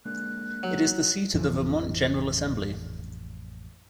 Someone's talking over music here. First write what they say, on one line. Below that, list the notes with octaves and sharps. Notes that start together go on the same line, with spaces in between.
It is the seat of the Vermont General Assembly.
G#3 A#3 D4 F#6
F#3
A1 F2 E3 F3